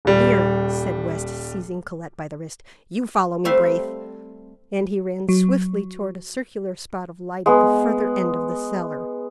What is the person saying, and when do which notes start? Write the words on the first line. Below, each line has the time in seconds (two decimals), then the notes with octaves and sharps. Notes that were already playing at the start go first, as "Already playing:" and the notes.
"Here," said West, seizing Colette by the wrist, "you follow me, Braith!" and he ran swiftly toward a circular spot of light at the further end of the cellar.
0.05 D#1 G3
3.45 G3 A3 C4 E5 F5
5.29 F#3
7.46 G#3 B3